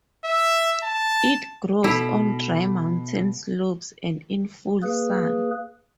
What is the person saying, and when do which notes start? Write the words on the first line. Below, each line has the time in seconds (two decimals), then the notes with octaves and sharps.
It grows on dry mountain slopes and in full sun.
0.25 E5
0.83 A5
1.84 B2 D#4 E4 A4
4.83 A#3 G#4 B4